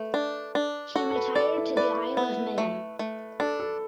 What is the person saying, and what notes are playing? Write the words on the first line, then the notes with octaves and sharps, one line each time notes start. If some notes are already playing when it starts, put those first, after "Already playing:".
He retired to the Isle of Man.
Already playing: A3 B4
D4
D4
F#4 A4
A4
B4
A4 D5
E4
B4 D5
B3
A3
A3
D4 A4
A4